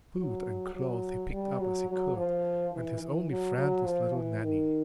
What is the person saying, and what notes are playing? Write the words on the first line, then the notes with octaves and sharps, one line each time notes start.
Food and clothes he picked up as he could; and his only friend was little Nanny.
F#3
F#3
G3
F#3
F#3
F3
E3
E3
F#3
F#3
F3
E3
D#3